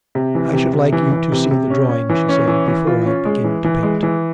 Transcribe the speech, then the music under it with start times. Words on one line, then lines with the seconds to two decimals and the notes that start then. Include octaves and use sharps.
'I should like you to see the drawing,' she said, 'before I begin to paint.'
0.15 C3
0.35 E3
0.53 C3
0.73 C3
0.92 E3
1.12 E3
1.32 C3
1.51 C3
1.70 C#4
1.89 C#4
2.09 E3
2.29 C#4
2.48 E3
2.68 E3
2.87 F4
3.06 C#4
3.25 G#3
3.44 E3
3.64 E3
3.83 G#3
4.03 E3